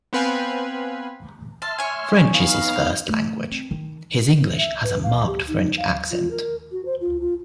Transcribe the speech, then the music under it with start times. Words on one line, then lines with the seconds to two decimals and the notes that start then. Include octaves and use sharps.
French is his first language; his English has a marked French accent.
0.13 B3 C4 B4 F5 G#5
1.62 E5 A5 C6 F6
1.79 C#5 G#5
2.35 B3 D#4 F5
3.09 A3
3.50 C4
3.71 D#3
4.58 E5
4.84 B4
5.04 F5
5.27 G4
5.48 D#4
5.77 F5
6.11 F4
6.31 A#4
6.72 F#4
6.85 C5
7.01 F4
7.20 F4